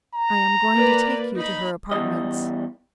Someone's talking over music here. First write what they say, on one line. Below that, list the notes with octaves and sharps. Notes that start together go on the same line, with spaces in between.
I am going to take you to her apartments.
A#5
A#3 B4 D5
D#4 B5
E2 G#2 G3 D#5